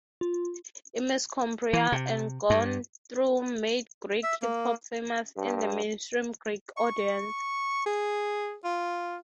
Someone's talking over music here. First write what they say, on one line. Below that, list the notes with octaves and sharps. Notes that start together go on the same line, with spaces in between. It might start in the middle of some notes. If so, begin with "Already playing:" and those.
Imiskoumbria and Goin' Through made Greek hip-hop famous in the mainstream Greek audience.
F4
E3
C3
G2
E5
A#3
G2
C#6
G#4
F4